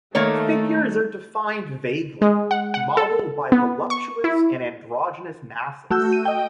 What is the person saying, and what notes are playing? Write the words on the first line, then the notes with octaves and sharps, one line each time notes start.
Figures are defined vaguely, modeled by voluptuous and androgynous masses.
D#3 A3 A#3 C#5
G#3
F#5
F#5
A4
B3
C#6
E4
A3 F#4 E6 G6
D#7
D#5 G5